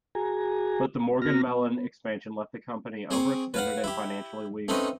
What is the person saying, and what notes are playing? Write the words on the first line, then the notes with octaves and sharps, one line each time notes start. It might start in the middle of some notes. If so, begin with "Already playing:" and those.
But the Morgan-Mellen expansion left the company overextended and financially weak.
F#4 G#4 G#5 A#5
B3 F#4 F6 A#6
B3
C4 G#4 C#6 D6
B4 F5 F#5
E4 G4
A3 C4 C#4 D#4 B4